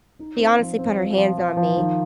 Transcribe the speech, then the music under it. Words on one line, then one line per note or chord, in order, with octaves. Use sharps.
She honestly put her hands on me.
D#4
C4
F3
C4
F4
F3
F3
F3
D#3